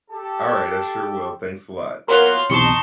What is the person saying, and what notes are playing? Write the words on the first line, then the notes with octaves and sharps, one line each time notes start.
Alright, I sure will, thanks a lot.
G4 A4 A5
F#3 A#3 B3 F4 A#4 C#5 F#5 C6
B1 E2 C3 D#4 A5 C6 C#6 C#7